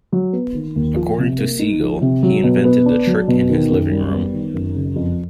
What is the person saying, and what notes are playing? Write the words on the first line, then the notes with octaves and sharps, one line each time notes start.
According to Siegel, he invented the trick in his living room.
F#3
B3
D#3
D#2
F3
C3
A#3
D#4
F3
C3
F#3
B2
B3
D4
F#3
B2
D#3
F#2
G3
B3
D#3
F#2
C#3
F2